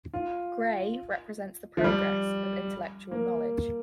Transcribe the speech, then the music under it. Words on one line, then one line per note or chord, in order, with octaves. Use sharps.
Gray represents the progress of intellectual knowledge.
F4
F3
G3
A#3